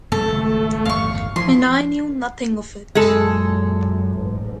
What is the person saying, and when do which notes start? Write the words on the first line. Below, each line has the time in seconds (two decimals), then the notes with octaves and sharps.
And I knew nothing of it!
0.12 F#2 C3 G#3 A3 A4
0.28 G#1 C#2
0.86 G1 E2 A2 F5 C#6
1.36 E3 F3 C6
2.95 F#2 A#2 G#3 A4
4.19 A1 G#2